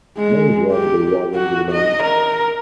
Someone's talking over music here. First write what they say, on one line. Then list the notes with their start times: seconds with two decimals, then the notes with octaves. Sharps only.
Many dragged their wagons with them.
0.17 G#3
0.71 G4
1.34 F#4
1.71 D#5
2.03 A#4